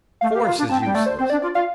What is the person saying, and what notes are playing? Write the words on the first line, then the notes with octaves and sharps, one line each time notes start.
Force is useless!
A3 F5
G4
F4
D4
C4 A5
G3 G5
A3 D5
C5
C4 C5
D4 D5
F4 D5
F4 F5